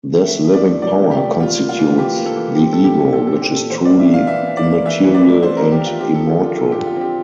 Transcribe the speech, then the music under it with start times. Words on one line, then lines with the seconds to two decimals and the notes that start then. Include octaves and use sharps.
This living power constitutes the ego, which is truly immaterial and immortal.
0.24 A3 E5
0.44 F3
0.54 D5
0.64 A3
0.82 C3 D5
1.02 C3
1.11 G4
1.21 A3
1.40 G3 F4
1.59 A#3
1.69 F4
1.78 E3
1.98 E3 G4
2.17 A#3
2.26 A4
2.36 E3
2.55 C4 G4
2.73 A#2 A4
2.84 G4
2.94 A#2
3.12 A#2 A4
3.27 C4 A4
3.41 G4
3.51 A#2
3.56 A4
3.70 E3 C5
3.85 A#3 D5
3.99 E5
4.08 D4
4.14 F5
4.27 E3 E5
4.47 E3
4.57 D5
4.66 A#3
4.85 E3 E5
5.04 E3
5.14 D5
5.23 A3
5.43 D4 C5
5.57 E3 A#4
5.72 G4
5.81 A3
5.86 F4
6.00 C4 G4
6.15 F3 A4
6.30 A4
6.39 D3 F4
6.58 D3 A4
6.72 G4
6.77 D3
6.87 F4
6.96 C4 G4